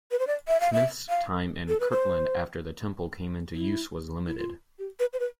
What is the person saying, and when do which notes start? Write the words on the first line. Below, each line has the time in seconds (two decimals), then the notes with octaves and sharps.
Smith's time in Kirtland after the temple came into use was limited.
0.11 B4
0.19 C5
0.27 D5
0.48 E5
0.61 F5
0.73 E5
1.09 F5
1.68 A4
1.80 B4
1.91 C5
3.55 E4
4.27 E4
4.38 F4
4.79 G4
5.00 B4
5.13 C5
5.20 B4